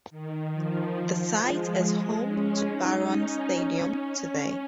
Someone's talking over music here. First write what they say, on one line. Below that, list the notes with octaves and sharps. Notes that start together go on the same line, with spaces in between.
The site is home to Barron Stadium today.
D#3
F3
G#3
C#4
D#4
C#4
C#4